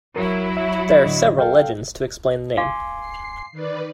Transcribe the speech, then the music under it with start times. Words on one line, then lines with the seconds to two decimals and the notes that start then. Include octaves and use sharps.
There are several legends to explain the name.
0.16 F#3 E4 A#4
0.57 E5
1.05 A2 D3 D#5
1.38 A4 F5 G5
2.57 F5 G#5 C6 D6
2.99 C7
3.52 D#3 B4 D5